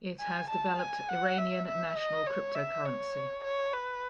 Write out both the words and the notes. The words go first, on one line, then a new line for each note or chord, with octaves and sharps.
It has developed Iranian National Cryptocurrency.
G#5
A5
G#5
F#5
E5
E5
D#5
C#5
E5
C#5
C#5
B4